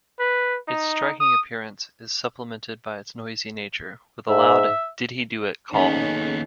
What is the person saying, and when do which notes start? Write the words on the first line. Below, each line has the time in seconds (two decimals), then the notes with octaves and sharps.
Its striking appearance is supplemented by its noisy nature, with a loud "did-he-do-it" call.
0.20 B4
0.68 D#4
1.20 D#6
4.29 G#2 E5
5.73 D#2 B3 C#4 D#4 G#4 A4